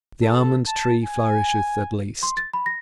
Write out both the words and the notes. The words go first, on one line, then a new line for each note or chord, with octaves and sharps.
The almond-tree flourisheth at least.'
A4
A5
G#5
C6
A6
B5
A#6